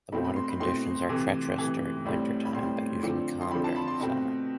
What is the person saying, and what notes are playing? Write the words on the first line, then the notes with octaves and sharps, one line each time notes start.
The water conditions are treacherous during winter-time, but usually calm during summer.
B2 A3 C4 B5
B5
C6
B5
B2 A3 C4 C6
C3 E3 A3
C3 E3 A3
A2 G3 C4
B5
A2 G3 C4 C6
D3 F3 C4
C6
D3 F3 C4 B5
A5
B5
C6
B2 A3 C4 B5